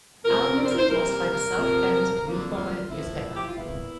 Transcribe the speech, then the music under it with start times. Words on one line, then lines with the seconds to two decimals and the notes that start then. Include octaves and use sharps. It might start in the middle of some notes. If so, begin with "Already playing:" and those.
Allen was endorsed by The South Bend Reformer newspaper.
0.23 F2 C3 F3 C4 A#4
0.57 D5
0.64 C5
0.70 A#4
0.78 C5
0.89 C3 E3 G3 A#3 A#4
1.56 F2 C3 F3 A#3
2.23 F2 D3 F3 A#3
2.56 F4
2.89 A2 F3 A#3 E4
3.36 G4
3.46 F4
3.55 E2 E3 A#3 E4